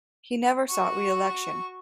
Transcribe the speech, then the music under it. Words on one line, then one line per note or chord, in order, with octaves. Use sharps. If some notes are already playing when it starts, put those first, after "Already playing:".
He never sought re-election.
F#4 C#6